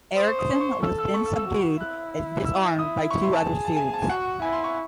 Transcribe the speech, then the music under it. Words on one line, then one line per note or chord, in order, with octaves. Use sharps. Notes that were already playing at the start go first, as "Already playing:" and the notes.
Erickson was then subdued and disarmed by two other students.
C5 D#6
C#6
D#6
C#6
C#6
C#6
A4 E6
E6
C#6
E6
E6
F#4
E4 F#6
E6
E4 D#6
C#6
C6
A5
G#4
A5
G#5
A5
G#5
F#4 F#5
E4 G#5
C6
C#6